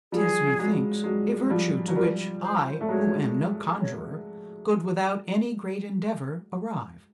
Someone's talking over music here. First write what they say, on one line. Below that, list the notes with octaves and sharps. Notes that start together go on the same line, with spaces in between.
'Tis, methinks, a virtue to which I, who am no conjuror, could without any great endeavour arrive.
F3 G3 G#4
F#3 G#3
F#3 G#3
F3 G3
F#3
F3 G3 A#4
C5
C5
A3
F#3 G#3 C#5
C#5